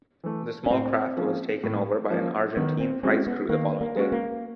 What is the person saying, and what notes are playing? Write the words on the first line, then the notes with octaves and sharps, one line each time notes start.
The small craft was taken over by an Argentine prize crew the following day.
E3 A3
C#4
A2 C4
F3 A#3 C#4
A2
F3 A#3 C#4
D#3 B3
C4
G#3 C4 C#4 F#4
B3
D#3 A#3
A#3
G#3 C#4 F#4
A#3